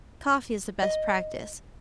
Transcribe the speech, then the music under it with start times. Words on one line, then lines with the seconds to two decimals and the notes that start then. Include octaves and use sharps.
Coffee is the best practice.
0.82 D#5